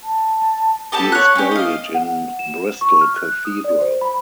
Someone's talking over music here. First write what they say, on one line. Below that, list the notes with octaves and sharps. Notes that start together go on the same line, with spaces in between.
He is buried in Bristol Cathedral.
A5
B3 G4 A4 A5
C#5 F#6
C#4 G4
D#5 F5
F#5
E7
C#6
F6
F#6
D#6
D5
C5
B5